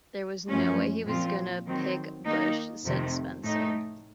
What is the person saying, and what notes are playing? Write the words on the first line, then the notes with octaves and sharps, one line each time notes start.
"There was no way he was going to pick Bush," said Spencer.
F#2 F3 A3 C#4
A#2 F3 C4 F4
D#3 F#3 C4
D#3 A#3 D#4
F2 C3 D#3 A3
A2 A3 D#4